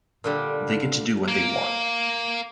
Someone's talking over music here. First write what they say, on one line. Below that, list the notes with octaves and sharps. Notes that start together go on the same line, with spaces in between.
They get to do what they want.
A#2 D3 G3
A#3